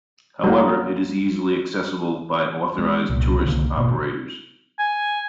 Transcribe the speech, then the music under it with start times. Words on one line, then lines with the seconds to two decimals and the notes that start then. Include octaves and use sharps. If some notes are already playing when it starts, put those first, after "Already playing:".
However, it is easily accessible by authorised tourist operators.
0.44 F#3 A#3
2.79 G#3
3.10 C2 A#2
3.44 C2 D3 D#3 A#3
3.76 A1 B2 A#3
4.79 G#5